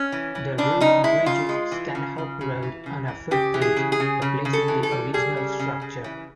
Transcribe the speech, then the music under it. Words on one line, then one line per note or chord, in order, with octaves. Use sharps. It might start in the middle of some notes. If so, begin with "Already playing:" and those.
The route bridges Stanhope Road on a footbridge replacing the original structure.
Already playing: C#4
E3
E3
C#3 D4
C#3 D#4
G#3 E4
C#3 F4
G#3
E3
C#3
C#3
C#3
E3
C#3
E3
C#3 G4
E3
G#4
C#3
G#4
C#3
C#3
C#3
A4
E3
A4
G3
G3 G#4
C#3
C#3
C#3
E3